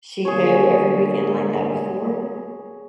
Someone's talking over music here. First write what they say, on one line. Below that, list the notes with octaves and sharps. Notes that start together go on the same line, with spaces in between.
she go every weekend like that before?
B2 D3 A#3 G#4 C#5